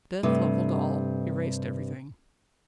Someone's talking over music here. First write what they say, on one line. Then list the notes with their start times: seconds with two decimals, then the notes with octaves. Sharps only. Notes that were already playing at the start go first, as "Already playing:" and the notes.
Death levelled all, erased everything.
0.23 G2 C3 A3